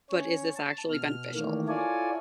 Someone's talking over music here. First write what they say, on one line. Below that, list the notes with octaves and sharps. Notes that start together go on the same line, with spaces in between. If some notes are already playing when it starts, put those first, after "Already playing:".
but is this actually beneficial?
C#4 C#5
A5
B2 F6
D#3 E3 A3 A#3
E4 F4 A4 C#5 D5 G#5